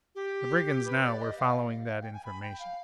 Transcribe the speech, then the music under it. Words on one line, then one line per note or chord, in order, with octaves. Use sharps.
The brigands now were following that information.
G4
B4
D5
D#5
F5
G5
G#5
B5
G5
F5